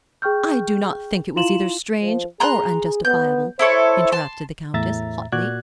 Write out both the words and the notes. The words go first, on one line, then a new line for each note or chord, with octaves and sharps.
"I do not think it was either strange or unjustifiable," interrupted the Countess, hotly.
G#4 G5 C#6 F6 G6
E4 F4 F5 C6 E7 F#7
F3
G#4 A#5 C6 F#6
B3 G6
E4 A4 C5 C#5
A5 C6
E2 A2 E5 A#5 A6
A#2 F#4 D5 F#6 G#6